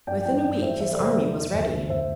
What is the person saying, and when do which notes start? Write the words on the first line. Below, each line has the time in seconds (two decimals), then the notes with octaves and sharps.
Within a week, his army was ready.
0.07 G2 D5 G5
0.25 E3 D5 G5
0.44 G2 D5 G5
0.62 E3 C5 E5
0.80 E2 C5 E5
0.92 A4 D5
0.98 C3
1.04 C5 E5
1.17 E3
1.35 E2
1.53 D2
1.72 D3
1.89 D2 C5 E5